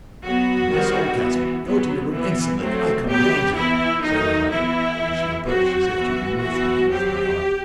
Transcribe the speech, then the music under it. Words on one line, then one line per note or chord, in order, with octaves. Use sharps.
"Miss Oldcastle, go to your room instantly, I COMMAND you," said her mother; and she approached as if to remove her hand from my arm.
F#3 B3 F#4
D#3 G3 C4
E3 B3
F#3 B3
E3 B3
F#3 A3 C4
F#3 B3 G4
E3 B3 E4
D#3 F#3 A3 D#4
E3 B3 E4
E3 B3
F#3 C4 F#4
E3 B3
E3 B3 F#4
F#3 C4 G4